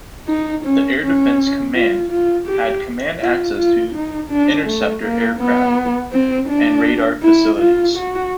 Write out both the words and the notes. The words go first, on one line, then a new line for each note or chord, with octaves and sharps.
The Air Defence Command had command access to interceptor aircraft and radar facilities.
D#4
C#4
C#4
F4
F4
G4
F4
F4
D#4
D4
A3
A#3
B3
C4
D4
E4
F4
F#4